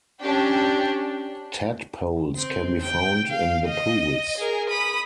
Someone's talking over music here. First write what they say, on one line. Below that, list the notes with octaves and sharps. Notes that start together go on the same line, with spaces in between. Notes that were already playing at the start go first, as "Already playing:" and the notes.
Tadpoles can be found in the pools.
C#4 D4 G4 G5
C4
G5
F5
D#5
G#4 A#4
B5 D#6